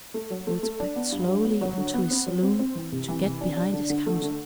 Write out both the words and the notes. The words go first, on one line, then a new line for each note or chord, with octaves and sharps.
Woods backed slowly into his saloon to get behind his counter.
A3
F#3
A3
A3
D4
B3
G2
F#3
B3
F#3
D3
B3
C4
F#3
C4
C4
E3
C3
E3
C3
D4
D4
D3
D3
A3
D3